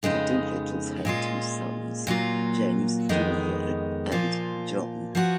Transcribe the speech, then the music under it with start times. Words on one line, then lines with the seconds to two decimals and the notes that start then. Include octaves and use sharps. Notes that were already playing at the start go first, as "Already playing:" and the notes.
The Doolittles had two sons, James Junior and John.
0.03 F2 C#3 G#3 B3 D#4
1.05 A#2 G#3 C#4 F4
2.07 A#2 F#3 A#3 F4
3.09 F2 D#3 G#3 B3 D#4
4.12 A#2 F3 A#3 F4
5.15 F3 B3 F#4